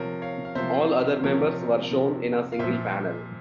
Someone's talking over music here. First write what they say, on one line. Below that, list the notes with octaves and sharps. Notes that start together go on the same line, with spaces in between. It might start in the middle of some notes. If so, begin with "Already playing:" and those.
All other members were shown in a single panel.
Already playing: C3 F3 A#4 C#5
C#5 F5
F5
C3 F3 C5 E5
C3 F3 A#4 C#5
C3 F3
F5
A#2 F3 C5 E5